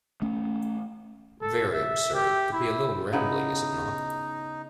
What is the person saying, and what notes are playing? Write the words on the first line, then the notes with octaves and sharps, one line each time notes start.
Very absurd, to be a little rambling, is it not?
A3 C#4
A4
E5
G4
E4
C#3 B3 D#4 E4